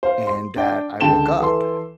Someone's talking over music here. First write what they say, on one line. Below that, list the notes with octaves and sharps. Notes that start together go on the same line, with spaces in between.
and that I woke up
C5 F5
C6
D4 G5
C#2 D3 G5 A5 E7 G7
E3 A4 C6